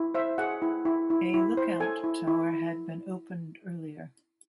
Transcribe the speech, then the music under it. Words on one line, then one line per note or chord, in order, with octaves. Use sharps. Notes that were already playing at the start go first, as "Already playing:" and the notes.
A lookout tower had been opened earlier.
Already playing: E4
C5 E5
G#4 F#5
E4
E4
E4
E4
C5
A4 G#5
E4
E4